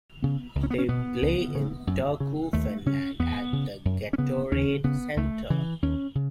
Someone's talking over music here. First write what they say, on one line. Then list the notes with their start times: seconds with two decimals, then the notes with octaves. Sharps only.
They play in Turku, Finland, at the Gatorade Center.
0.22 C#3 B3
0.55 C#2
0.63 C#4
0.70 B3
0.78 C#4
0.89 B2 B3
1.22 C#2
1.55 C#3
1.87 F#2
2.20 C#3
2.53 D#2 A3
2.86 C#3 C#4
3.19 E2 B3
3.53 C#3
3.85 F#2
4.13 C#4
4.18 C#3 B3
4.52 D#2 C#4
4.84 C#3 B3
5.16 C#2 A3
5.50 C#3 E3
5.82 D#2 C#4
6.15 C#3